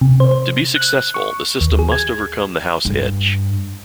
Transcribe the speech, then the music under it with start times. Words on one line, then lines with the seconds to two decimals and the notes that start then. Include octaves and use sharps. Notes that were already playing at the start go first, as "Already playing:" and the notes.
To be successful, the system must overcome the house edge.
0.01 C3
0.20 C5
0.76 F#6
1.14 C#6
1.61 D#2
1.79 G#4
1.92 G#6
2.85 G2